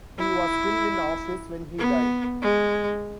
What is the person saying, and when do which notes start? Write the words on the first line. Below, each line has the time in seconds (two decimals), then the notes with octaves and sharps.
He was still in office when he died.
0.19 E4
1.79 B3
2.42 G#3